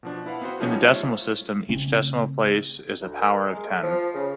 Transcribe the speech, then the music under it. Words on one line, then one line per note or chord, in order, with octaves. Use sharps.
In the decimal system each decimal place is a power of ten.
B2 F3 D4
E4 B4 F5 F#5
B3 C4 F#4 C5
F3 G3 A3 B3 C#4 D#4
F4 C5 C#5 E5
C#3 A3 C4 C#4
D2
A#4
G#3
A3
F3
C#3